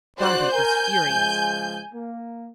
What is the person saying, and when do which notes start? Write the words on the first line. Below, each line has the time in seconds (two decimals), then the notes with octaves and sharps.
Barbaik was furious.
0.18 G#3 D4 F#4 C5 D5 F#6
0.53 A#4 G#5 G6
1.05 C#2 F3 G#3
1.93 A#3